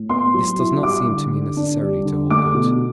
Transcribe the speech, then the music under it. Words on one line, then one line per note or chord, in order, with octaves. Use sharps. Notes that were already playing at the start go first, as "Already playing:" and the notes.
This does not seem to me necessarily to hold good.
Already playing: A2
B3 C6
F#3
E4
G3 D6
D3
D3
D4
G3
D3
A3 D6
B2